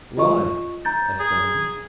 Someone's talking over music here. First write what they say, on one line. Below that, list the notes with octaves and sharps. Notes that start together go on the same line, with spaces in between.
"Why?" asked Diamond.
F4 D#5 C#6
A#5 G6 A6
G#4